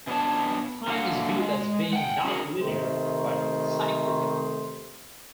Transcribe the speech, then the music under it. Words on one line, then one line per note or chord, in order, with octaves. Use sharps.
Time is viewed as being not linear but cyclical.
B2 B3 D4 C#5 A5
D3 F#3 A3 A#3 F5 F#5
G#3
F#5 G5
C#4 D#4 F#4 G#4 A#4 C#5
C3 D#3 A3 C5